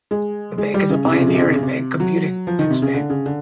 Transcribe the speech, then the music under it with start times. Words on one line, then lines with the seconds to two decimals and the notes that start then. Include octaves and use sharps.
The bank is a pioneer in bank computing in Spain.
0.11 G#3
0.58 G#3
0.74 G3
0.90 C#3
1.05 C3
1.13 C#3
1.20 C3
1.27 C#3
1.34 C3
1.41 C#3
1.48 C3
1.56 C#3
1.63 C3
2.00 F#3
2.47 F3
2.59 D#3
2.70 C3
2.82 C#3
2.94 D3
3.10 C#3
3.26 D3